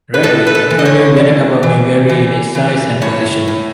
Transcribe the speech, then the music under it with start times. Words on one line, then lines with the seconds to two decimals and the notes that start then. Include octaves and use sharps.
Rarely, the inferior vena cava may vary in its size and position.
0.14 B4
0.23 A2 A4
0.47 B4
0.55 A4
0.70 E3
0.79 D#5
0.85 C#5
1.16 E3
1.63 E3
2.09 E3
2.55 E3
3.02 A2 C#5
3.48 A2